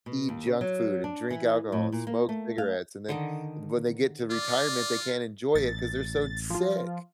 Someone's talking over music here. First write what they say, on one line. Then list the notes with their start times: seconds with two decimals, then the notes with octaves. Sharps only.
eat junk food and drink alcohol and smoke cigarettes. And then when they get to retirement, they can't enjoy it 'cause they're so sick.
0.06 B2
0.29 D#2
0.46 C#3
0.61 F#3
1.04 D4
1.31 E3
1.72 A2
1.92 A#2
2.07 A#3
2.29 A3
2.58 F5
3.09 D3 D#3 D#5
4.30 F4 D5
5.55 A1 A6
6.50 F3 F4